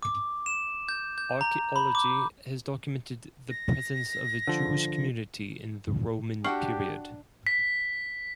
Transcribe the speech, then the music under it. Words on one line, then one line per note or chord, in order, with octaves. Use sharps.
Archaeology has documented the presence of a Jewish community in the Roman period.
D6
E7
G6
G6
A#5
B5
D6
A#6
D3 F3
D4 F#4 G4 F#5 G5 C#6 F6 C7
B6